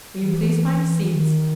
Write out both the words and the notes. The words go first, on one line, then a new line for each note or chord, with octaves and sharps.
Will you please find seats?
E3
D#3